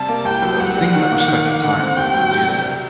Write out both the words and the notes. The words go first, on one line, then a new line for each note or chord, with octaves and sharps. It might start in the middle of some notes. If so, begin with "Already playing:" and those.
uh, things that respect your time, as you said
Already playing: C3 G3 A5
A#3
C2 G5
F#3
C2 F#5
G3
D#3
A#3
D#3
A#3
D3 F#5
C4
D#2 G5
F#3
C3
G3